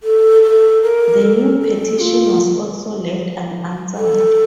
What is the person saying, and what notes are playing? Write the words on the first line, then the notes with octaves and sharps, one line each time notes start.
The new petition was also left unanswered.
A4
A4
A#4
A4
A#4
A4
F4
A4